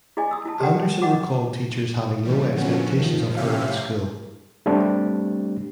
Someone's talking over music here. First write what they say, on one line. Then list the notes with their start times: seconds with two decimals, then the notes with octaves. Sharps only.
Anderson recalled teachers having low expectations of her at school.
0.17 E4 G#4 D5 D#5 G#5
0.31 D#6 E6
0.45 E4 A5
0.60 G4 A4 D5 F#5 G5
0.82 G5
1.02 D#5 F#5 D6
2.25 E3 G3
2.55 D3 F3 F#3 B3 C#4
2.97 D#3 F3
3.36 A2 C3 C#4 G4 E5 F5
4.66 G3 A3 C4 D4 G4